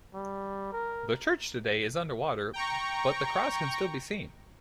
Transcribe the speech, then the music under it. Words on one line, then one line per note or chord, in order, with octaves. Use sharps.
The church today is underwater but the cross can still be seen.
G3
A#4
G5 A#5 C#6